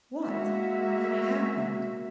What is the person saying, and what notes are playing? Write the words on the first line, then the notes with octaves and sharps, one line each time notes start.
What had happened?
G#3 A#3 F#4 E5